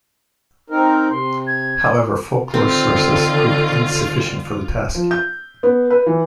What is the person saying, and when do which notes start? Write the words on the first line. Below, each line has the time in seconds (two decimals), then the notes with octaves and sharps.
However folklore sources proved insufficient for the task.
0.70 C4 D#4 A#4
1.10 C3 C6
1.47 G#6
2.54 D3 D#3 C4 F4 A4
4.95 F3
5.11 G6
5.63 B3
5.90 B4
6.06 E3